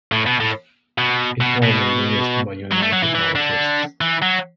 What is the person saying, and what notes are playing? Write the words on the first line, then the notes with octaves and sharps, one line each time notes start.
It was released by United Artists.
A2
B2
A2
B2
B2
B2
F#3
A3
F#3
E3
E3
D3
E3
F#3